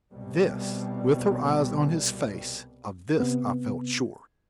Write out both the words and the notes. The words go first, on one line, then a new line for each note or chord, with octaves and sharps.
This, with her eyes on his face, of this I felt sure.
C2 B2 G3
C3 B3